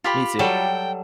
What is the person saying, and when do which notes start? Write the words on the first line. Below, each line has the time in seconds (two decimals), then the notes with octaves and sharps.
Me too.
0.04 F4 G4 B5
0.39 F#3 G3 A4 G5